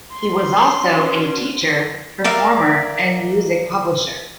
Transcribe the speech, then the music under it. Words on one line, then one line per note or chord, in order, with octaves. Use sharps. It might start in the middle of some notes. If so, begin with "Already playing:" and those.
He was also a teacher, performer, and music publisher.
C6
C#4 D4 F#4
A#4 D5 E5 F5